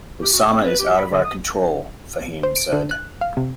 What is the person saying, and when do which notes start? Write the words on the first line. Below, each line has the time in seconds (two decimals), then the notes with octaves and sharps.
"Osama is out of our control," Fahim said.
0.21 G4
0.32 F#4
0.50 C4
0.63 B4
0.78 G4
0.95 B5
1.09 D3
1.23 D#6
2.43 C5
2.56 D7
2.73 D3
2.91 F#6
3.21 F5
3.37 C3